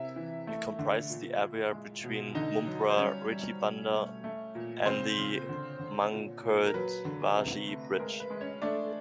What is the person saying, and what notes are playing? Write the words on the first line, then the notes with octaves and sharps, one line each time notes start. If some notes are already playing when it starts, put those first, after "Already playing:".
It comprises the area between Mumbra Retibunder and the Mankhurd-Vashi Bridge.
Already playing: C3 E4 E5
E3
A3
D3
A#2
A#2
G#3
B2
D3 D#4 D#5
F#3
C5
G3 C#4 C#5
G3
B2
A3
A3
A#2
C#3 C4 C5
C#3
D3
D3
A#2
A#2
A#4
F#3 B4
D3
C3
A3
B4
G#3 A#4
B4
G#3
C#4 C#5
A3 D4 D5